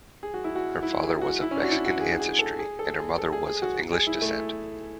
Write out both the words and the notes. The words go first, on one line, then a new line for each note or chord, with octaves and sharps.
Her father was of Mexican ancestry, and her mother was of English descent.
G#4
F#4
E4
F#4
E4
G#4
F#4
E4
C#4
D4
F#4
E4
F#4
G#4
G#4
A4
G#4
A4
G#4
A4
G#4
G#4
F#4
G#4
E4
A3